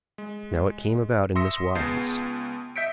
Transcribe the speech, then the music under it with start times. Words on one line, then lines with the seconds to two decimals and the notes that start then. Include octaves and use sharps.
Now it came about in this wise.
0.18 G#3
1.35 E5 C6 D#6 E6 A#6 C#7
1.75 C#2 B3 G#4 A5 G6 C7
2.76 D#5 E5 G6 B6 C#7 D7